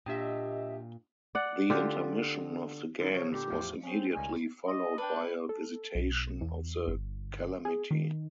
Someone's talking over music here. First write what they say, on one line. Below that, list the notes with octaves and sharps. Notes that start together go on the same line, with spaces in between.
The intermission of the games was immediately followed by a visitation of the calamity.
A#2 A#3 D4 G4 D#5 E5 G5
D5 F#5
D3 F4 G4
D3 D#4 E4
C3 F3 C#5
A#2 D3 G4
E2 A2 F3
C4 C#4 G#4
C#2 D#3 G3 G#5
D#5
D4 B4 G5
A4
B1
E2
G1
G#4
D#3